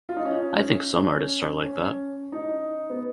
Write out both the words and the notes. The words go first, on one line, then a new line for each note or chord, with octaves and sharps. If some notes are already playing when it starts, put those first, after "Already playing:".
I think some artists are like that.
F4
D#4
C#4
C#4
C#4
D#4
B3